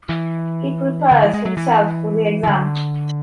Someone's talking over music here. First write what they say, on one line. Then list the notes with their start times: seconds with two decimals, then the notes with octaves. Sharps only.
He prepares himself for the exam.
0.09 E3
1.11 D3
1.22 E3
1.34 G#3
1.45 F#3
1.57 E3
2.43 E3
2.47 D3